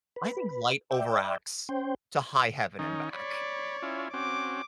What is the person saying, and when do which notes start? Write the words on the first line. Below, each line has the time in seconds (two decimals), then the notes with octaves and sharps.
I think Light overacts to high heaven and back.
0.16 B4
0.91 D5 E5 G5
1.69 C#4 C5 G5
2.79 D#3 C#4 D#4
3.13 C#5 D5 B5
3.82 C#4 E4 F4
4.14 C4 C#4 F#4 D6